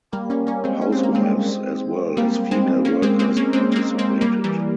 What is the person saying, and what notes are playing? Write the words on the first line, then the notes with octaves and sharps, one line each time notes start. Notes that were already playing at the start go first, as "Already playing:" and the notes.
Housewives as well as female workers participated.
G3 A#3
A#3 C#4
A#3 C#4
G#3 C4
C#4
C4
A#3
G#3 C4
G3 A#3
G#3 C4
A#3 C#4
G#3 C4
G#3 C4
A#3 C#4
G#3 C4
A#3
G#3 C4
G#3 C4
G3 A#3
E3 G3